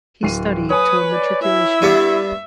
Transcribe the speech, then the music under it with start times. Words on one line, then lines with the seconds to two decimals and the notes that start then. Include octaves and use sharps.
He studied till matriculation.
0.23 D1 C7 D#7
0.70 B4 C#5 G#5 D#6
1.12 D5
1.42 E4 E5
1.82 G2 B3 D6 C#7 D#7